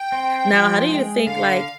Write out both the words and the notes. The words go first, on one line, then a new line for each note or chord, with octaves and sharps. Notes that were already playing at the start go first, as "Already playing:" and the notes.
Now how do you think, like,
Already playing: G5
C4
F3
G#3
D3 F5